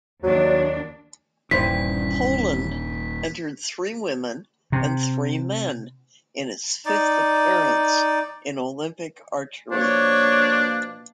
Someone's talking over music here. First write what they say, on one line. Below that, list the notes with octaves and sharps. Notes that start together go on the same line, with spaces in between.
Poland entered three women and three men in its fifth appearance in Olympic archery.
D#2 F#3 D4
D#1 G2 E3 B4 C5 B6
C3
D#4 D5
B2 F3 A#3 D4 C#5